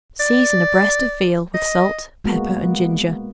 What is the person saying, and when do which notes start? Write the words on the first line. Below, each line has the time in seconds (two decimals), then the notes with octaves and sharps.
Season a breast of veal with salt, pepper and ginger.
0.20 D5
1.54 D#5
2.25 G#3 A#3 B3 F#4